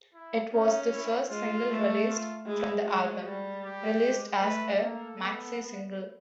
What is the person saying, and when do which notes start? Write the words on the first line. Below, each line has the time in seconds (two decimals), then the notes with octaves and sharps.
It was the first single released from the album, released as a maxi-single.
0.14 E4
0.53 C#4 D#4
0.92 E4
1.30 G#3 F4
1.69 A3
2.08 F4
2.46 G#3 E4
2.86 G#3 F#4
3.25 G3
3.63 G4
4.02 G#3
4.40 A3 B4
4.79 A#3 A4
5.18 B3